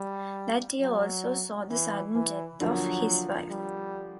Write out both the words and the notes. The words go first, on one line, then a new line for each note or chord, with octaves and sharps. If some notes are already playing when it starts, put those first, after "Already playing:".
That year also saw the sudden death of his wife.
Already playing: G3
F#3
E3
E3
D3 F3 F#3 A#3
G3